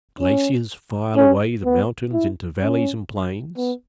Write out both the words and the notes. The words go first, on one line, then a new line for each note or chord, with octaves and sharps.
The glaciers file away the mountains into valleys and plains.
C#4
C#4
B3
E4
C#4
B3